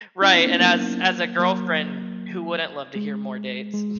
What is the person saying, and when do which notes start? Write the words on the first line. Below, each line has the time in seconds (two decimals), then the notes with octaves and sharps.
Right, and as as a girlfriend, who wouldn't love to hear more dates?
0.21 C#4 E4
0.34 B3 D#4
0.47 A#3 C#4
0.60 F#3 A#3
1.39 F#3 A#3
2.96 G#3
3.74 G#3